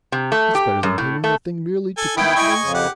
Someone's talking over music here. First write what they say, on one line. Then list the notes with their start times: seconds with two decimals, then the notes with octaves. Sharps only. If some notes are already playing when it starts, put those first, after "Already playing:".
That's better than painting the thing merely to pique Maisie.
0.12 C3
0.32 A3
0.55 G4
0.83 F#2
0.98 A2
1.24 A3
1.97 A4 G#5
2.17 D#3 B3 E4 G5
2.36 D#5 G#5 C#6
2.62 F2 C#3
2.74 G4 F#5